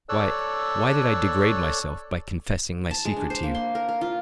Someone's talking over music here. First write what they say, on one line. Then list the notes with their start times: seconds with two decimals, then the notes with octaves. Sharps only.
Why, why did I degrade myself by confessing my secret to you?
0.09 A4 C#5 D5 E6 F#6
2.91 A5
3.05 G#3
3.16 D4
3.30 C5
3.43 A#3
3.55 C6
3.75 A#4
3.89 A#4
4.01 F4